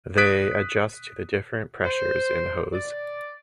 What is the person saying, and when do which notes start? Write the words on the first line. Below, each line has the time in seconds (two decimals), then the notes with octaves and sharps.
They adjust to the different pressures in the hose.
0.17 D#6 F#6 B6 D7
1.85 C5
2.73 D5